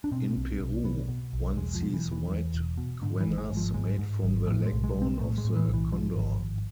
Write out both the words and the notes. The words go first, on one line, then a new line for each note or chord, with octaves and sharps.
In Peru, one sees white quenas made from the leg-bone of the condor.
D4
B2 C4
B1
B1
B2 B3
B2
B1
E1 G#3
F3
B2
E3
E1
E3
E2
E1
B2
G#2 D3
E3
G#1
G#3
G#1
F3
G#2 G#3
G#2
G#1
A2 F3
G#3
B1
G#3
B1
C4
A2 A3
G#3
A2
E3
B1
E3
G#2 F3
G#1
G#1